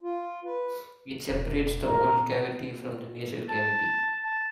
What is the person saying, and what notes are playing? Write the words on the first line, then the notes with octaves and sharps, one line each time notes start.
It separates the oral cavity from the nasal cavity.
F4
B4
E1 F2
A#2 B3 A#4
A5
A5